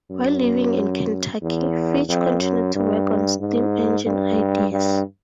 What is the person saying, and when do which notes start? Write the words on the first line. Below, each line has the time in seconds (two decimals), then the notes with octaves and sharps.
While living in Kentucky, Fitch continued to work on steam engine ideas.
0.11 F#2
1.42 E2
2.09 F2
2.41 F#2
2.75 G2
3.40 G#2
4.06 G2
4.72 G2